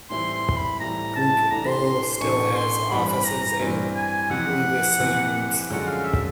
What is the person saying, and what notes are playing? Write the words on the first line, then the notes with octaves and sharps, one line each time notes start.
Groupe Bull still has offices in Louveciennes.
A2 E3 G3 C4 E4 C6
C6
B5
A2 E3 G3 C4 E4 A#5
A5
A1 A2 E3 A3 D4 A#5
C6
C6
C6
A1 A2 E3 A3 D4 C#6
C6
G2 E3 G3 C4 B5
B5
A#5
A#5
G2 E3 G3 C4
G#5
F2 C3 E3 F#5
F2 C3 E3
F#2 D3 F3 G#3 C#4 F#5
F5
E5